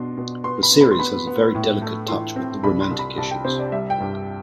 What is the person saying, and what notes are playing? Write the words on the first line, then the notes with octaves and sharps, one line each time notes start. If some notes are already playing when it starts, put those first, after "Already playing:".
The series has a very delicate touch with the romantic issues.
Already playing: B2 D4 C6
B2
B3 C6
B5
B3
B5
C6
B3 B5
B3
A2
A3
E3 C6
C4
C2 B5
C6
C2
B5
C2 A5
G5
C3 C5
D5
G3 E5
G5
G2